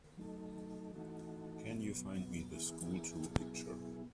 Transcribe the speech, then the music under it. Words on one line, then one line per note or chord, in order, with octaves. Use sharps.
Can you find me the SchoolTool picture?
F#3 A3 D#4 A4
E3 A3 D#4 F#4 A4
B2 F#3 B3
E3 B3 E4 G#4
B2 F#3 B3 E4 G#4